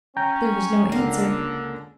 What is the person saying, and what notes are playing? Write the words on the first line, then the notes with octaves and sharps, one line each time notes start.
There was no answer.
C#4 G5 A#5 G6
C#2 D3 A#3 D4